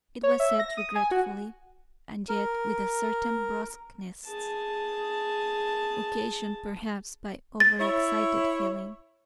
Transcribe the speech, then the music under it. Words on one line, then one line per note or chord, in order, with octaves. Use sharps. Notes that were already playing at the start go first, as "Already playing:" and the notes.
It was said regretfully, and yet with a certain brusqueness, occasioned perhaps by over-excited feeling.
C#5
E5
A#6
D#6
G#5
F#4
A#4
G#4 A5
A6
E4 C#5